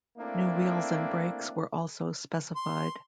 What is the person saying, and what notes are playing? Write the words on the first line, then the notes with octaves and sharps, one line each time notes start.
New wheels and brakes were also specified.
A3 A#3 C4 D4 E4
C6